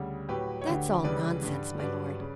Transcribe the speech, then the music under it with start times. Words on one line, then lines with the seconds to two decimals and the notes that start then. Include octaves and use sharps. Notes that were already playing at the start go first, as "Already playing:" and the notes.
"That's all nonsense, my lord."
Already playing: D2 C#3 G3
0.29 A2 F#3 G4 B4
0.62 C#5
0.66 D2 D3 F#3 G4 B4
1.04 C#2 C#3 E3 G3 B4 D5
1.43 G2 D3 G3
1.79 G2 F#3 B4 D5
2.19 C#3